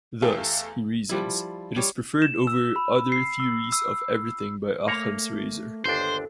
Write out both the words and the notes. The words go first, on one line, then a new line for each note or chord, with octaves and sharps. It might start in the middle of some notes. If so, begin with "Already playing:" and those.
Thus, he reasons, it is preferred over other theories-of-everything by Occam's Razor.
E2 E3 A3 G4 A4 F5
F3 G3 E4
G3 C#5
E7
E6
B5
C7
E6
E6
A3 A#3 C#5 A#5
G1 D#2 D4 A4 C5